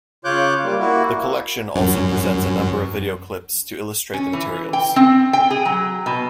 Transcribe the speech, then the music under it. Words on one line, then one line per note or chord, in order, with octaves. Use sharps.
The collection also presents a number of videoclips to illustrate the materials.
C#3 F4 C#5 D6 F#6 G6
G3 A#3
A#3 E4 F#4
F#2
C#4
E3
G5
C4
G5
G#4
F#3
B2